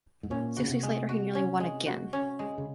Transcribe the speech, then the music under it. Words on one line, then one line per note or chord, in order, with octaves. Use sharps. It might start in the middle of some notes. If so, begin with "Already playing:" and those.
Six weeks later he nearly won again.
G#2
A#2 C#4
C#3 F#4
C3
G#3
F#4
C#4
G#3
F#4
C#4
G#3
C#3